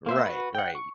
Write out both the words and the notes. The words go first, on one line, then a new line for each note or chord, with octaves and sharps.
Right, right.
A#3 C5 E5
F#4 B4
F#5 G5
C#6